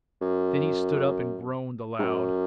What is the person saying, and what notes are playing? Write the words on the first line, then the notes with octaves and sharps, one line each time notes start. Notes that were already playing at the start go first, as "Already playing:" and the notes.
Then he stood up and groaned aloud.
F#2
G#2
F#2